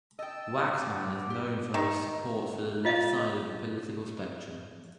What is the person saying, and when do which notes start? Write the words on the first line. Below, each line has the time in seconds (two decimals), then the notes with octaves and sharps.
Waxman is known for her support for the left side of the political spectrum.
0.19 D#5 G5 A5 E6
0.77 D5
0.90 F#5
1.30 G4
1.74 D#3
2.85 F4 D#5 F5